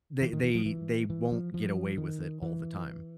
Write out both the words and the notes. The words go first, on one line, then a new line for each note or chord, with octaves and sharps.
they they they won't get away with it all the time,
E3
D#3
E3
F3
E3
E3
F3
F3
D#3
E3